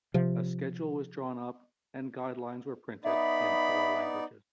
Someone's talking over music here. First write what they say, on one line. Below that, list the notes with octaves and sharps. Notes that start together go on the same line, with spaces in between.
A schedule was drawn up, and guidelines were printed in four languages.
C3 F3
B3 D#4 D5 E5 B5